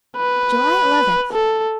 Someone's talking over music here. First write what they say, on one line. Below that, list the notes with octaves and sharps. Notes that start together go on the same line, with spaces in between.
July Eleventh.
B4
A4